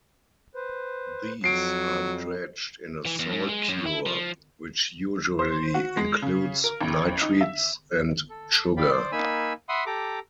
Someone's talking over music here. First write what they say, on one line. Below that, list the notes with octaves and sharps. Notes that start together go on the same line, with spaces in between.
These are dredged in a salt cure, which usually includes nitrites and sugar.
B4 C5
F2 F#3 C7 D7
E3
E2
G#2
G#3
F#2
E4
F3
C5
F#4
G#3
C#3
A#4
A1
D#4
E5
A4
D5 F5 G5 B5
C5 D5
A#3 D#4 G#5 B5 E6
E5 F#5 B5 C6 D#6
G4 A4 A#5 D6